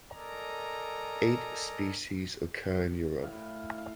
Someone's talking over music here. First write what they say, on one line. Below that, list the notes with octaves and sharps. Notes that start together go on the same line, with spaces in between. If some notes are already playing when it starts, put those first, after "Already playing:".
Eight species occur in Europe.
A4 A#4 D5 D#5 G#5 A#5
A2 F5
F5